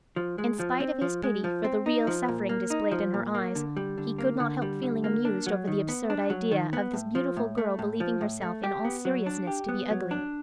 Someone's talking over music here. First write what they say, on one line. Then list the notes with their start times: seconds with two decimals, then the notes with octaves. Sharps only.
In spite of his pity for the real suffering displayed in her eyes, he could not help feeling amused over the absurd idea of this beautiful girl believing herself in all seriousness to be ugly.
0.16 F3
0.38 G#3
0.59 F3
0.80 C4
1.01 F3
1.23 G#3
1.44 F3
1.64 C4
1.86 D#4
2.07 F3
2.28 A#2
2.49 A#3
2.70 D#4
2.91 F3
3.14 A#2
3.35 A#3
3.55 D3
3.77 G3
3.98 D3
4.18 A#3
4.40 D3
4.62 G3
4.83 D3
5.04 A#3
5.25 D4
5.46 F#3
5.67 D#3
5.89 B3
6.10 D4
6.30 F#3
6.51 D#3
6.73 B3
6.93 A2
7.15 F3
7.37 A2
7.58 A3
7.79 A2
8.00 F3
8.21 A2
8.41 A3
8.64 G4
8.85 B3
9.05 F#3
9.26 D4
9.47 G4
9.69 B3
9.91 F#3
10.11 D4